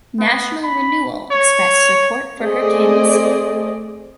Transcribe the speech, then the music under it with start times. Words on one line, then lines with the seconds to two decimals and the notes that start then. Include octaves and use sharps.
National Renewal expressed support for her candidacy.
0.19 B3
0.63 B5
1.31 C#5
2.41 A3 C4 G#4 D5 D#5